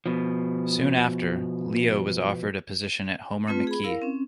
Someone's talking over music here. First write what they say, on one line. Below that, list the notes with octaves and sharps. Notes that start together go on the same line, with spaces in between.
Soon after, Leo was offered a position at Homer McKee.
B2 F3
A3 C4 F4 B4
G#4 B5
E4 A#4 F5
C4 C#4